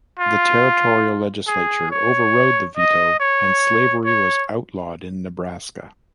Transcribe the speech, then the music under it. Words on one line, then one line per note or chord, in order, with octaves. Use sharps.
The territorial legislature overrode the veto, and slavery was outlawed in Nebraska.
F4
G#4
C#5
D#5
C#5
C#5